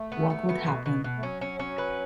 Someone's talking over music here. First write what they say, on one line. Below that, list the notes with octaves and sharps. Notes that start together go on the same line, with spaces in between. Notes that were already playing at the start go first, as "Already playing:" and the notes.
What would happen?
Already playing: A3
B3
B3
B3
B2
B2
B2
A3
F#3 C#4
C#4
C#4
B4